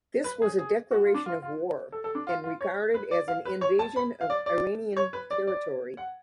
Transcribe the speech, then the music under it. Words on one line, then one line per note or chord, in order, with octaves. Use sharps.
This was a declaration of war and regarded as an invasion of Iranian territory.
B4
G#4
G#4
F#4
F4
D4
F4
F4
A4
A4
D4
F4
F4
C#5
B4
D5
F5
B4
C#5
A5
B5
F5
D5
D5
C#5
B4
D5
D5
F#5